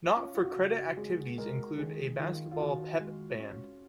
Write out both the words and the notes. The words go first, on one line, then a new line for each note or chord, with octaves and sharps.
Not for credit activities include a basketball pep-band.
C#4 F4
F4
F#4
C#3
F#4
G#3 G#4
G#3 A#4
D#3 G#4
D#3 F4
F4
D#3 F#4
G#3
C#4